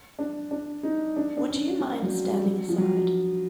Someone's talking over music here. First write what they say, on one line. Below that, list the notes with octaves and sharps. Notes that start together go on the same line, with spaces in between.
Would you mind standing aside?
D4
D4
D#4
D4
D4
C#4
C4
F#3
G3
F#3
F3
F#3